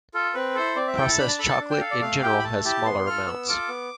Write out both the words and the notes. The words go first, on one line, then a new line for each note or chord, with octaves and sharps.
Processed chocolate, in general, has smaller amounts.
F4 A4
C4 B4
E4 A4 C5
C4 D5
E5
E4 A4 G5
A5
D4 B5
A5
A4 B5
A5
D4
G5
A4 F5
D5
A3 F5
E4 G4 G5
B5
A3 A5
E4 G4 A5
B3 C6
F4 A4 F6
B3 E6
F4 A4 D6
B3